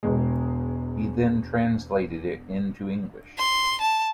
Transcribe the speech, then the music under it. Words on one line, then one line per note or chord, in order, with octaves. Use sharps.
He then translated it into English.
E1 E2 G#3
C6
A5